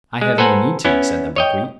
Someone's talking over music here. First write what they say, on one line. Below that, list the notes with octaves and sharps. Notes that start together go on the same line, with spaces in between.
"I have no need to," said the buckwheat.
G#3
A4 B4 C5 F#5 G#5 A#5
B3 C#4 E4
C#5 D#5 G5